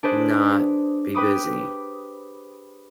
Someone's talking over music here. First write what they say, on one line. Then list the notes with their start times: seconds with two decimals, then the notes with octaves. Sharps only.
not be busy,
0.03 D4 G#4 B4 C5 D5
1.15 G4 B4 G5 B5 D6 D#6